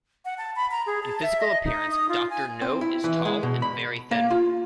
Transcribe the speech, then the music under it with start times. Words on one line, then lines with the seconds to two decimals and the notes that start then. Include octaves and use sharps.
In physical appearance Doctor No is tall and very thin.
0.25 F#5
0.38 A5
0.56 B5
0.71 A#5
0.87 G#4
1.03 A5
1.22 E5
1.41 D#5
1.64 D#4
1.90 D#6
2.09 F4
2.30 G#5
2.62 C4
2.81 E4
3.04 E3
3.25 G#3
3.43 B2
3.62 B5
4.11 A#3
4.31 F4